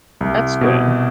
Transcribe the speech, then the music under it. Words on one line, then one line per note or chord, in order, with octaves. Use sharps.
That's good.
C2
B2